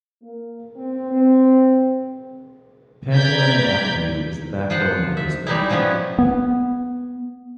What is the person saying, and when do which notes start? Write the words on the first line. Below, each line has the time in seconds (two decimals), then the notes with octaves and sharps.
Pantelimon Avenue is the backbone of the district.
0.22 A#3
0.76 C4
1.10 C4
3.14 B4 D5 A#5 G6 G#6 B6
4.70 F3 F4 C5 F#5
5.17 E5
5.47 G3 G#3 D#4 E4
5.70 B2 F3 B3 C#4 E4
6.19 B3